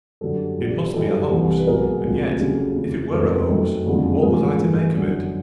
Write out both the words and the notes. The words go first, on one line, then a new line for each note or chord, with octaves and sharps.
It must be a hoax, and yet, if it were a hoax, what was I to make of it?
F#2 D3 F#3 G4 A4
A#1 A#2 G3
F#2 D#3 G3 G4 A4
C2 C3 E3 G3
B4
B1 B2 G#3 G#4 A#4
D2 C3 F3 G#3
D#2 C#3 F#3 A3
F1 F2 C#3
F1 F2 C3 D#3 G#3 A4 B4
A#4 C5
F#2 D#3 F#3 A3
F#1 F2 D3 F3 G#3
A1 G#2 F3 G#4 A#4
G1 G2 E3 A3
G1 F#2 D3